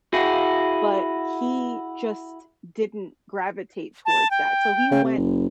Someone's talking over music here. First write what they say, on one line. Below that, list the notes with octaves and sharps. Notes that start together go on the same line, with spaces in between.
but he just didn't gravitate towards that. So, he went
E4 F#4 G#4
A5
G5
C#3
C3
F#1